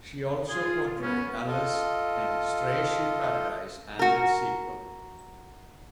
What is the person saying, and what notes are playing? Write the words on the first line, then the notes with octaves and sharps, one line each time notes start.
She also portrayed Alice in "Stray Sheep Paradise" and its sequel.
F4 G#4
B3 C#4
F4 A4 D#5
F#4 A#4